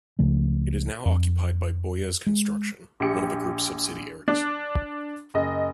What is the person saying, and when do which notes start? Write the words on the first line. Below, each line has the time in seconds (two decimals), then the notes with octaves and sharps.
It is now occupied by Bouygues Construction, one of the group's subsidiaries.
0.19 C#2 C#3 F3 A3
1.05 F2
2.27 G#3
3.00 A#1 G4 C#7
4.28 D4
5.34 F#1 D#5